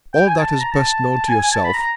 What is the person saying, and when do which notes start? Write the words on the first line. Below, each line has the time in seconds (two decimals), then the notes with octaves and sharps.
All that is best known to yourself.
0.14 G5
0.26 G#5
0.38 A5
0.49 A5
0.59 A#5
0.71 A5
1.28 G#5
1.40 G#5
1.52 A5
1.64 B5
1.74 A#5